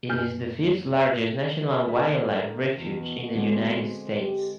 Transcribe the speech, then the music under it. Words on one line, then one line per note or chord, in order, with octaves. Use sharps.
It is the fifth-largest national wildlife refuge in the United States.
F#2 A#3 F6 G6
D3 A#3 E5
A#4
E2 B2
D3 G#3 C4
G4